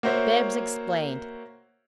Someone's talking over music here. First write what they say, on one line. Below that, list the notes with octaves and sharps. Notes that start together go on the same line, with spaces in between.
Bibbs explained.
A#3 F#4 C5 C#5 E5